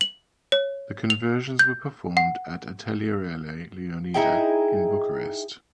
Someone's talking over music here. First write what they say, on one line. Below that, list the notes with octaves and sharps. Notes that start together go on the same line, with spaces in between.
The conversions were performed at Atelierele Leonida in Bucharest.
F#7
C#5
F7
G6
F#5
D#4 E4 G#4 G5